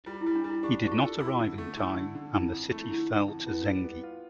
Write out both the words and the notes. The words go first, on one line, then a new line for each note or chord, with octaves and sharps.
He did not arrive in time and the city fell to Zengi.
G3 F4
E4
G3
D4
G3
E4
D4 G4
D4 G4
F4
A4
E4 F4
D3
A3
E4
D3
D3
F2 E4
F2
A3
F4
D3 E4
D3
F2
B3 E4
G3
B3
F4